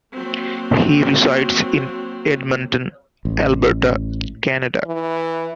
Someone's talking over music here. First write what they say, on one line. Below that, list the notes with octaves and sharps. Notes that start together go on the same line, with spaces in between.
He resides in Edmonton, Alberta, Canada.
F#3 A#3 C4
A1
E3